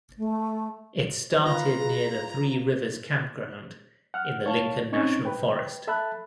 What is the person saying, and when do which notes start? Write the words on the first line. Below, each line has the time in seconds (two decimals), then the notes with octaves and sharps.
It started near the Three Rivers Campground in the Lincoln National Forest.
0.18 A3
1.44 F4 B4 A#5
1.79 G#4
4.14 F#5 F6
4.46 C#5 F5 A5
4.92 C4 C#4 D#4 C#6 G#6
5.25 B4 G5
5.87 A4 E5 A5 B5 F#6